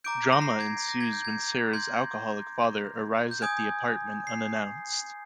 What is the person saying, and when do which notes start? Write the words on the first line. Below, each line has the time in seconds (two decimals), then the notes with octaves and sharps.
Drama ensues when Sarah's alcoholic father arrives at the apartment unannounced.
0.04 A#5 D6 G6 D7
0.33 A#6
0.42 C7
0.50 A#6
0.60 G#6
0.89 A#6
1.01 G#6
1.13 G6
1.25 G#6
1.73 C6 G6 G#6
3.31 G6
3.42 G#5 D#6 G6 G#6
4.27 C7